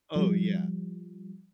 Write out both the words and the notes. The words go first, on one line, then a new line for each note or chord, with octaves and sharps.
Oh, yeah.
F3 G3